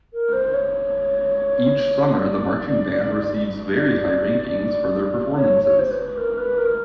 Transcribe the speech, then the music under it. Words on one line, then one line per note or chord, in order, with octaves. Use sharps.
Each summer the marching band receives very high rankings for their performances.
A#4
C5
C#5
D5
D5
C#5
C#5
C5
B4
A#4
B4
A#4